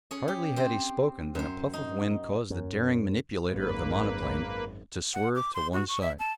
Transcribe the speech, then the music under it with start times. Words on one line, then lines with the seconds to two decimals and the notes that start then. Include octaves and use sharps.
Hardly had he spoken than a puff of wind caused the daring manipulator of the monoplane to swerve to one side.
0.11 C#4 G#4 C#5
0.28 G4
0.56 C4 C5
1.35 F#2 C5
1.73 D#4
2.50 F#2
3.48 G#1 F#2 A#3 B4
5.14 F#5
5.36 D6
5.54 C6
5.73 F#4
5.89 C#6
6.01 E5
6.19 A5